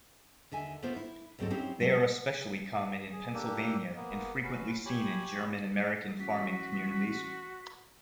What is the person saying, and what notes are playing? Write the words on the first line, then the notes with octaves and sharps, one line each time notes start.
They are especially common in Pennsylvania and frequently seen in German-American farming communities.
D#2 D3 E5 G#5
A3 B3 D4 F4 A#4 C5
E4
D2 G#2 F#3 C4 F#4 A4
F#3 C4 C#4 D#4 E4 G4
F#3 G#3 A4
G#4
A#3 D4 G4 A4
A#3 B3
C#4 F#4 B4
G4 C#5 G#5 B5
A1 F#4 B6